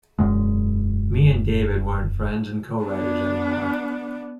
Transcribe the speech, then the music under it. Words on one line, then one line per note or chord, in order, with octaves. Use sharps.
Me and David weren't friends and co-writers anymore.
E1 F#2 G#3
B3 D4